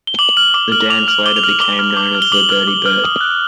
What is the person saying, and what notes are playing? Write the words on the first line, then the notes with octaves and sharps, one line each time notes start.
The dance later became known as the "Dirty Bird".
G7
D6 F#7
F6 F#7
D6 F#7
F6 F#7
D6 F7
F6 F#7
D6 G7
F7
F6 F#7
D6 G7
F6
D6
F6
G7
D6 F#7
F6
D6
F6
D#6
F#6